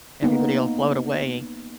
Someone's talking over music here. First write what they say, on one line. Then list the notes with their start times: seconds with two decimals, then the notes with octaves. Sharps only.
Everybody'll float away.
0.22 A#3 B3 D#4